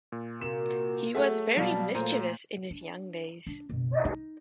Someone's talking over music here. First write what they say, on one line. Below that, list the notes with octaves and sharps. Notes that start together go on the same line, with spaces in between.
He was very mischievous in his young days.
A#2
C3 A#3 F#4 A#4 E7
F#3 A3 G#4 A4 E5 F#5
B2 F#3 G3 F5 A5
A#2 F3 F#3 A3 A4 C5 A#5 D#7
D4
D4
F#1 B2
D#4